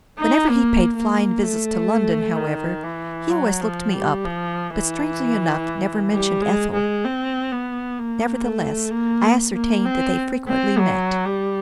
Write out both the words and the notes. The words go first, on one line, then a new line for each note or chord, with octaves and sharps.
Whenever he paid flying visits to London, however, he always looked me up, but, strangely enough, never mentioned Ethel. Nevertheless, I ascertained that they frequently met.
D#4
A#3
A#3
A3
D#3
E3
F#3
F3
G3
F3
E3
G3
G#3
G#3
C4
B3
A#3
A3
A#3
A#3
C4
C4
F#3
G3